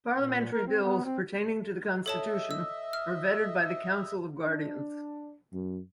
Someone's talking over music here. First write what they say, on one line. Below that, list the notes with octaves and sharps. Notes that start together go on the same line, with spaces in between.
Parliamentary bills pertaining to the constitution are vetted by the Council of Guardians.
A#2
A#4
C4
B3
C4
A4 C#5 D#5 E5 A5
E6
F6
D4
F#2